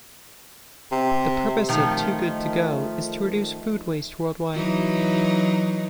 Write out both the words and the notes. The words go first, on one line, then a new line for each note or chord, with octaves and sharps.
The purpose of Too Good To Go is to reduce food waste worldwide.
C3
D#3 F3 A3
E3 F#3 D#4